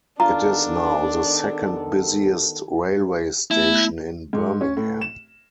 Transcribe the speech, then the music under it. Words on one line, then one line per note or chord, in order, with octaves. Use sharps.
It is now the second busiest railway station in Birmingham.
D#3 B3 D4 F4 A4 A#5
A3 B3 E4
G#2
C#4
A2
E7